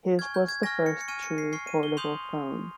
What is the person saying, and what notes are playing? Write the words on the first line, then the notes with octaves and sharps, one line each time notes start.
His was the first true portable phone.
G#5 C#6 F6 G#6
G6
G#6
G#5 C#6 F6 A#6
C#7
C#7
G#5 C#6 F6 D#7
C#7
C7
G#5 C#6 F6 C7
D#7
G7
C6 D#6 G6 F7